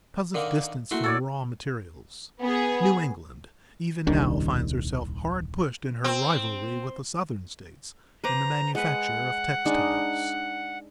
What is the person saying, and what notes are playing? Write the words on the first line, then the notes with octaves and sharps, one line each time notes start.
Because of distance from raw materials, New England even now finds herself hard pushed in her rivalry with the Southern states in the manufacture of textiles.
D3 D#3 A#3
A3 A#3 E4 F#4 C6
F#4 A4 C#5 D5
B3 G#4
D#1 C2 D#3 D4
C4
B4 C5 A#5 D6
G#3 B4 F#5
G#3 D4 D#4